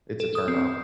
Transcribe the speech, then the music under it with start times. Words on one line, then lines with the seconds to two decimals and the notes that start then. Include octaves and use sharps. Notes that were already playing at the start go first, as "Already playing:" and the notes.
it's a turnoff.
0.20 A4
0.35 D#6
0.48 C4